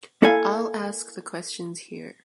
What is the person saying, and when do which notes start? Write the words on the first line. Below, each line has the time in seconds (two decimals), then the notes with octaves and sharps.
I’ll ask the questions here.
0.22 A#3 E4 A4 D5 F5 G#5